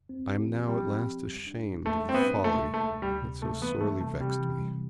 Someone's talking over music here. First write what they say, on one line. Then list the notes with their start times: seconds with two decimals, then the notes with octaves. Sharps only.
I am now at last ashamed of the folly that so sorely vexed me.'
0.09 C4
0.29 G4
0.48 F3
0.67 F3 G3
0.87 C4
1.07 G4
1.27 G3
1.47 D4
1.66 A2
1.85 A2 A3
2.04 G3 C4
2.14 B3
2.24 D4
2.44 C3 A3
2.64 G3
2.74 A3
2.83 D2
3.02 D2 G3
3.22 C3
3.42 G3 A3
3.61 E3 B3
3.80 G3 A3
4.00 C3 A3
4.20 C3 G3
4.40 E3
4.59 G3